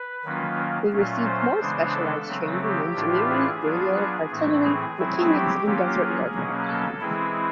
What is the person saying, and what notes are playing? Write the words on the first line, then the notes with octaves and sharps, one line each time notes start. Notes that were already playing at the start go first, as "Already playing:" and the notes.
They received more specialised training in engineering, radio, artillery, mechanics and desert warfare.
Already playing: B4
D#3 F#3 A#3 C#4 F4
A#2 F#3 A3 C#4 F4
C5
C#3 E3 G#3 B3 D4
A4
C#3 F#3 A3 C4
G4
A2 E3 A3 D4 F4
G#4
F#3 B3 D4 F4
A2 E3 A3 C4
G#4
F#3 A3 C4 E4
G4
F#3 A#3 C#4 F4 G4
G#4
B2 F#3 A#3 C#4
A4
E3 G#3 C4 E4 G#4